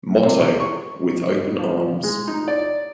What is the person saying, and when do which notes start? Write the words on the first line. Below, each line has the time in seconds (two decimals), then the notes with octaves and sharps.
Motto: With Open Arms.
0.23 C3
0.60 C#6
1.59 F3
2.03 G#3
2.28 D#4
2.48 D5